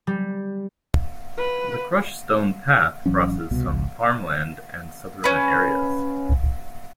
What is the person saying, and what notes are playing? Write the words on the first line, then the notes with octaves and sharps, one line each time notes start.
The crushed stone path crosses some farmland and suburban areas.
G3
B4
G#1 E3 F#3 C#4
C2 B2
G#1 C#2
C#4 B4